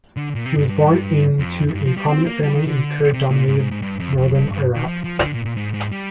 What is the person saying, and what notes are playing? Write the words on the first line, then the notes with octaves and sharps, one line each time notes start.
He was born into a prominent family in Kurd-dominated northern Iraq.
D3
A#2
C3
G2
G2
G2
F2
G2
F3
G3
C4
A#3
G3
D#3
D3
C3
A#2
G#2
G#2
G#2
G2
F2
F2
G2
G2
D#3
F3
F3
D3
A#2
A#2
G#2
G#2
G3